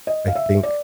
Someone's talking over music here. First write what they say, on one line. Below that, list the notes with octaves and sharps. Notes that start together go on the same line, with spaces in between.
I think
D#5
F5
E5
D5